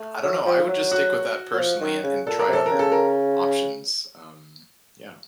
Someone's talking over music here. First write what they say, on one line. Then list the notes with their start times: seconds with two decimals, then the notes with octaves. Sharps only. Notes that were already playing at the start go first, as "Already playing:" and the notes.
I don't know, I would just stick with that, personally, and and try other options, um, yeah.
Already playing: A3
0.23 F#3
0.46 F3
0.68 F#3
0.92 F#4
1.53 F#3
1.59 F3
1.81 D#3
2.03 C#3
2.26 A#2 A4
2.39 A#4
2.48 C3 A4
2.66 A#4
2.72 C#3
2.79 A4
2.92 A#4